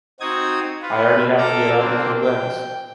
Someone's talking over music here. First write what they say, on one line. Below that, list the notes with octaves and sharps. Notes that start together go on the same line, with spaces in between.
I already have to get out in Koblenz.
C4 D#4 F#4 D#6 G#6
F4 B4
A4 F5 A#5 D6 E6
A#3 C4 D4
G5